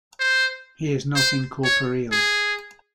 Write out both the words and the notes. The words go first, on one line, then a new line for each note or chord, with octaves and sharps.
He is not incorporeal.
C5
C5
C#5
G#4